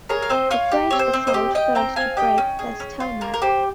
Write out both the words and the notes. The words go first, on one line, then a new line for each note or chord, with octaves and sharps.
The French assault failed to break the stalemate.
G#4 A#4 C#5
F5
C4 C5 D#5
F4 C#5 F5
G4
C4 C#5
C5
C4
C5 D#5
G4
G4 D#5 G5
C4 G5 A#5
C4 F5 G#5
G4 D#5 G5
C#4
G#4
C#4
F4
A#3 A#4
A#4
G4 C5